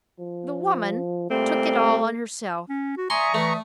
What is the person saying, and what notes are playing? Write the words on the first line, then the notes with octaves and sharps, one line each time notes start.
The woman took it all on herself.
F3
A#2 G3 A3 C4
C#4
F#4
D5 E5 G#5 A#5 C6 C#6 D#6
E3 A3